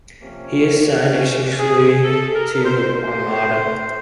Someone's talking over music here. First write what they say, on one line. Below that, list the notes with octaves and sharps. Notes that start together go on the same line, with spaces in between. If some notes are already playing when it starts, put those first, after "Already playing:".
He is signed exclusively to Armada.
C3 F3 A#3 C#4
G4
G#4
A4
A#4
C5
C5